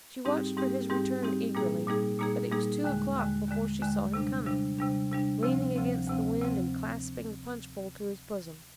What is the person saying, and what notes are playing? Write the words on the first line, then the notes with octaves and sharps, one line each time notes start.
She watched for his return eagerly, but it was two o'clock before she saw him coming, leaning against the wind and clasping the punch bowl to his bosom.
G#2 G3 C4 D#4 G4
G#2 G3 C4 D#4 G4
G#2 G3 C4 D#4 G4
G#2 G3 C4 D#4 G4
A#2 G3 A#3 D#4 G#4
A#2 G3 A#3 D#4 G#4
A#2 G3 A#3 D#4 G#4
A#2 G3 A#3 D#4 G#4
D#2 D3 G#3
D#2 D3 G#3
D#2 D3 G#3
D#2 D3 G#3
C3 G3 D4
C3 G3 D4
C3 G3 D4
C3 G3 D4
D2 C3 F3 C4
D2 C3 F3 C4
D2 C3 F3 C4
D2 C3 F3 C4